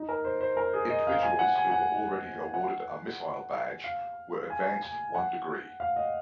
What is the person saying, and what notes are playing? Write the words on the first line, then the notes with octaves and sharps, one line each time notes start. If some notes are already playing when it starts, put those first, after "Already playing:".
Individuals who already awarded a missile badge were advanced one degree.
Already playing: D#4
A#4
C5
C5
A#4
G#4
D#5
F5
G#5
F#5
G#5
F#5
F#5
F5
G#5
G#5
F#5
F5
D#5